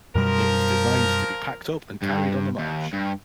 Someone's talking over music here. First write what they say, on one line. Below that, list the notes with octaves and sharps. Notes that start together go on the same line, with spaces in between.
It was designed to be packed up and carried on the march.
F#2 B2 F3 G3 A#4
G2
D#2
G2